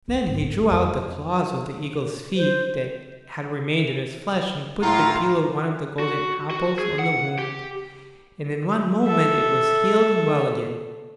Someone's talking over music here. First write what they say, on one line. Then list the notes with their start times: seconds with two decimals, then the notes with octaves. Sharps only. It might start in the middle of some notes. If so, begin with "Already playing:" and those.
Then he drew out the claws of the eagle's feet that had remained in his flesh, and put the peel of one of the golden apples on the wound, and in one moment it was healed and well again.
0.08 C#2
0.26 G#2
0.42 C4
0.59 G#3 C4
0.71 F2
2.36 C5
4.82 A2 F4 A#5
5.99 F#4
6.51 F#4
6.79 G#4
6.99 F#5
7.38 G4
9.04 A4 E5